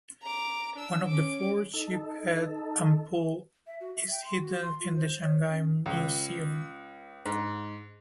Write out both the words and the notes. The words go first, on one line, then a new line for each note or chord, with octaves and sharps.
One of the four sheep head ampoule is hidden in the Shanghai Museum.
A#5 D6
D4 E6
C#4 D6
D#4 A4
E5
F#4
E5
G5
C6
F#4
C6
F4
C5
C#5
C#4
C#2
G#2